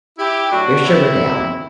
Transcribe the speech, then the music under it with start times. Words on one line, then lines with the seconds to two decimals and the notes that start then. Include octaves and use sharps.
your sugar down.
0.18 E4 G4
0.52 A2 F#3 D4 F#4
0.85 C4 E4
1.18 F#2 F#3